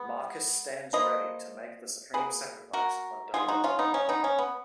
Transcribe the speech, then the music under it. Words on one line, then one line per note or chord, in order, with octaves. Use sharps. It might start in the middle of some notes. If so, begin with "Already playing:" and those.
Marcus stands ready to make the supreme sacrifice on Delenn's behalf.
Already playing: G#3 B3
F3 A#3 B4 D#5
B2 A#3 G#4 B4
F#4 A#4
D#3 G#3 B3 F4 G#4
D#4 F#4
C#4 F4
B3 D#4
C#4
B3 D#4
C#4
B3